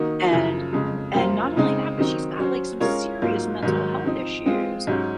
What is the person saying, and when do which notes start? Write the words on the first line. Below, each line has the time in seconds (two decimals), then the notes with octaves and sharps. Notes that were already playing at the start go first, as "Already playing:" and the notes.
and w and not only that, but she's got, like, some serious mental health issues.
Already playing: D#3 A#3 D#4 F#4
0.31 F#2 C#3 F3
0.73 F2 C#3 G#3
1.14 F#2 F3 A#3 F4 C5
1.56 C#3 G#3 C4 D#4
1.98 D#3 F#3 C4 D#4
2.39 F#3 C#4 F#4 C5
2.80 G#3 C#4 F4 A#4 C#5
3.22 G#2 F#3 A#3 F4
3.63 G#2 D#3 F#3
4.04 F3 C4 D#4
4.46 G#3 C4 F4
4.87 G#2 F#3 C#4